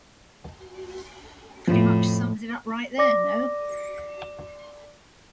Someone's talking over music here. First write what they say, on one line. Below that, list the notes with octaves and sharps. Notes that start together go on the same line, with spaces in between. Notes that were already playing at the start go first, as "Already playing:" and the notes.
Pretty much sums it up right there, no?
F2 A2 F3
D5 D6 A#6